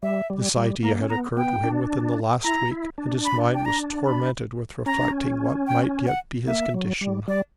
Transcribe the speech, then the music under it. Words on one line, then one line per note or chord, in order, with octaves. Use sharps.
This idea had occurred to him within the last week, and his mind was tormented with reflecting what might yet be his condition.
G3 E5
G3
G3
A#3 A#5
C#4
B3 A#5
B3 G5
D4
E4 A#5
E4
D4
B5
G5
A#5
B5
C#4 A#5
D4
C#4
G5
F#5
A#3 E5
F#3
G3
G3 D5